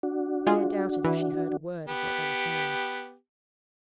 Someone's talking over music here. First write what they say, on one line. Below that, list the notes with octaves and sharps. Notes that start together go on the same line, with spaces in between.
Pierre doubted if she heard a word of what they were saying.
D4 F#4
G#3 F4 G#4
E3
B3 G4